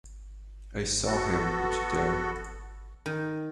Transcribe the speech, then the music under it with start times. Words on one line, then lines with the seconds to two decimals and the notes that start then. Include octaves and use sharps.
I saw him put it there.
1.05 B3 F#4 A4
3.06 D#3